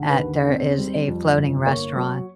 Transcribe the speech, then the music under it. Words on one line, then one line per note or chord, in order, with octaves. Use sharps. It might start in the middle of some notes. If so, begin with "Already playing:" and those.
at there is a floating restaurant
Already playing: G#1 D3
B4
D#2
C4 C5
G3
F2
G1
A#3 C#5
F#3